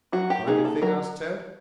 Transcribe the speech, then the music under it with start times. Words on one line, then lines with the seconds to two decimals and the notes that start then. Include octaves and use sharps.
"Find anything?" asked Tad.
0.12 F#3 F#4
0.30 G4
0.47 A#3 D#4 G#4
0.65 A4
0.82 F#3 A#4